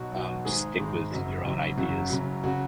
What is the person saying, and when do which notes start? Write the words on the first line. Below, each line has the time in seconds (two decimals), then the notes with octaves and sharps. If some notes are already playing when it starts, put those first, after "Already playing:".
um, stick with your own ideas.
Already playing: B1 B2 F#3 F#4
0.12 B1 B2 F#3
0.45 G#1 G#2 G#3 G#4
0.78 G#1 G#2 G#3
1.11 F#1 F#2 F#3
1.44 F#1 F#2 F#3
1.77 F#2 C#3 F#3 F#4
2.10 F#2 C#3 F#3
2.43 C#3 F#3 F#4